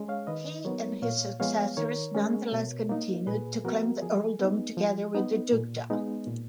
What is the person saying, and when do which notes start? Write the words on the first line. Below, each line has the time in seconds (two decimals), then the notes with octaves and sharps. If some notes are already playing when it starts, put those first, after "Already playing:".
He and his successors nonetheless continued to claim the Earldom together with the Dukedom.
Already playing: G#3 C#4
0.08 C#5 F5
0.27 D#3 B4 D#5
0.65 F#3 B3 D#4 A#4 C#5
1.02 A#2 C#5 F5
1.40 F3 G#3 B3 C#5 F5
1.77 D#3 A#4 C#5
2.15 G#3 C#4
2.52 B2
2.89 A#3 D#4
3.27 A#2 G#4 B4
3.64 F3 B3 F#4 A#4
4.02 F3 G#4
4.39 B3 D#4
4.77 F3
5.15 B3 D#4
5.52 A#2
5.90 G#3 B3 D#4
6.27 A#2